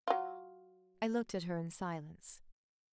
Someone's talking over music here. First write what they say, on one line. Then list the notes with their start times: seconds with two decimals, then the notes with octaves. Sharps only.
I looked at her in silence.
0.08 F#3 F4